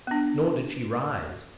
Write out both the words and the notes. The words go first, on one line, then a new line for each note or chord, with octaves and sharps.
Nor did she rise.
B3 D4